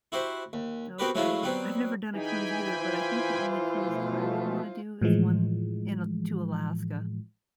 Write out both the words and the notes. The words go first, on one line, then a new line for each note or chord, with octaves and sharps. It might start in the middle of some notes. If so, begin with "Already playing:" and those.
Okay. I've never done a cruise either, but I think the only cruise I would wanna do is one in a to Alaska.
E4 F#4 G4 C5
D#2
B3 C4 F#4 G4 A#4 B4
F#3 G#3 A3 C#4 E4 F4
F#3 G3 B3 C4
E3 D#4 G#4 G5 G#5 B5
E4 F4 C5
B2 F3 A3
A2 E3 F3 G#3